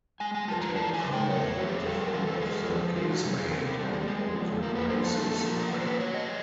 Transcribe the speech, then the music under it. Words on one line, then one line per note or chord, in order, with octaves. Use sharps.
It had armor on the front of the casemate and on the glacis plate.
G#3 G#5
G#5
F3 A5
A#5
E3 A5
G#5
C#3
G5
A3 C#5
F3 F#4
G4
G#4
G3 A4
A#4
E3 A4
A4
G#3 G#4
F3
E3 F4
F#4
C3 G#4
G#4
C4 A4
A#4
G3 A4
G#4
G4
G#3 G#4
F3
A#3 A#4
B4
F3 C5
A4
A#3 A4
A4
F3 A#4
A#4
A#3 B4
C5
B4
F#3 C#5
D#5
A3